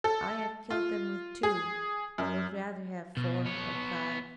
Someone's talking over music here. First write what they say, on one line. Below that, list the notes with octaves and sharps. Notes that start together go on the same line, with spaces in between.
I have killed them with two, but would rather have four or five.
A4
F4
G#4
F#2
B2
B3 C#5